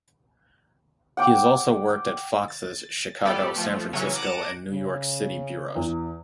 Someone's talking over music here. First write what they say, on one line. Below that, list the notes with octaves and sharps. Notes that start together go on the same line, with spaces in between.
He has also worked at Fox's Chicago, San Francisco, and New York City bureaus.
F#5 G5 D6
A6
G3 B3 G4 A4 D5
F3 A3
C#3 E3 F#3 C#4 C#5
F#5 A5 A#5 D6 D7 D#7
C#3
E2